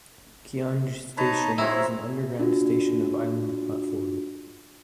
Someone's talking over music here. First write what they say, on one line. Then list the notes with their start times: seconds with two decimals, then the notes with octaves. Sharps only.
Qiange station is an underground station of island platform.
1.17 D#4 B4 C#5 A5 A#5
1.58 G#3 C4 E4 F4 C#5 E5 A#5
2.39 D4 F4 F#4